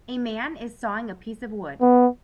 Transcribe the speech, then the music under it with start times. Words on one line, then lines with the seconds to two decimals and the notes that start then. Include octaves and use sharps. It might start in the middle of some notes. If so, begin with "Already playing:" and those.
A man is sawing a piece of wood.
1.81 B3